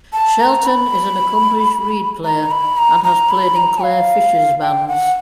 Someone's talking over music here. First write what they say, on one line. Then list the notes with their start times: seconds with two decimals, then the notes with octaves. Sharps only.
Shelton is an accomplished reed player and has played in Clare Fischer's bands.
0.13 A5
0.40 A#5
0.66 B5
2.25 A#5
2.51 B5
2.78 A#5
3.04 A#5
3.30 B5
3.56 A#5
3.83 F5
4.62 G5
4.88 F#5